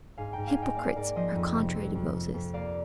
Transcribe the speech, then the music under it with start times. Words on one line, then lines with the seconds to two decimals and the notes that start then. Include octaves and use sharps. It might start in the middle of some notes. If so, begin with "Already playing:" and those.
Hypocrites are contrary to Moses.
0.18 G#2 F5 G#5
0.33 G#2 G5 A#5
0.47 F5 G#5
0.57 G#2
0.62 D#5 G5
0.75 A#3 D5 F5
0.96 G#2 A#4 D5
1.16 F3 C5 D#5
1.35 F2
1.56 C3
1.75 F2
1.95 F2
2.14 F2
2.34 F2
2.54 A#3 D5 F5